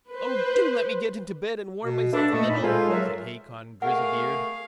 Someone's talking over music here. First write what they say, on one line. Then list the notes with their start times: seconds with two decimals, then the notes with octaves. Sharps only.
Oh, do let me get into bed and warm myself a little', said Hacon Grizzlebeard.
0.11 B4 C5
1.84 B2
2.13 D4 A4 B4 E5
2.33 A#2 A3 A4 D#5 C#6
2.50 A#2 D#4 B5
2.63 G#3 F4 A4 C5 G#5
2.89 F#3 F4 A#4 E5
3.82 A3 G#4 A#4 F5 F#5